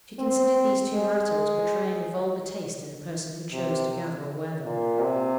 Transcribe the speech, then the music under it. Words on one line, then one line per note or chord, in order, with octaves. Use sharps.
She considered these two latter as betraying a vulgar taste in the person who chose to gather or wear them.
C4
G#3
C3
A#2
C3